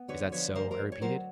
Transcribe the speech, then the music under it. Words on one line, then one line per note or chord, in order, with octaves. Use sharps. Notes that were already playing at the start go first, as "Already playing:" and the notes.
"Is that so?" I repeated.
Already playing: B3
D3 B4 C#5
F3 B4 C#5
D2 A#4 C5
A#4 C5
D2
C#5
F#3 A#4 C5